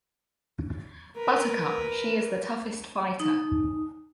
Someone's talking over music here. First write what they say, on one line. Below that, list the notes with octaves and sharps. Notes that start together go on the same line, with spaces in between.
Buttercup, she is the toughest fighter.
A#4 B4
D#4